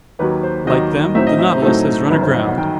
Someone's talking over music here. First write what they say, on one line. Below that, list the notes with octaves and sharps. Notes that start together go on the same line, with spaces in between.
"Like them, the Nautilus has run aground!"
D#2 D#3 F#3 B4
C5
D#2 D#3 F#3 D#5
A2 F#3 C4 D#4 E5
D#5
E5
C5
A2 F#3 C4 D#4 A4
G1 F#2 D#3 B4
C5
D#5
F#5
D#3 G5